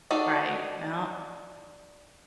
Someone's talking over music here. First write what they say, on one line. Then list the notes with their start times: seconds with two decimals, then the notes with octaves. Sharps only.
Right, yep.
0.11 D4 D#4 F#4 A4